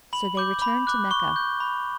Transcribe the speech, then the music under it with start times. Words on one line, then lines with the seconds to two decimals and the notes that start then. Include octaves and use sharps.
So they returned to Mecca.
0.13 B5 F#7
0.37 D6 G6
0.62 B5
0.87 D6 F#6
1.11 C#6 G7
1.36 G6
1.60 B5